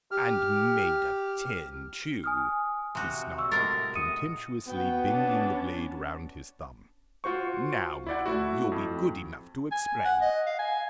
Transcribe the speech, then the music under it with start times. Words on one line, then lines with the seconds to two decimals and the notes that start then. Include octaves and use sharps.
And made of tin, too!" he snarled, contemptuously bending the blade round his thumb. "Now, Madam, you'll be good enough to explain.
0.11 G4 F6
2.24 G#5 D#6 F6
2.95 C3 F#4
3.38 C#6 E6
3.52 A2 G#3 A#4 A6
3.95 D#6 C#7 D#7
4.67 B3 F#4 G5
5.07 C#4 D4
7.24 F4 F#4 C5 C#6
8.06 E4 D5 F#5
8.26 A3 E4 F#4
8.72 F2
9.72 G#5
10.05 F#5
10.22 D#5
10.46 F5
10.59 G#5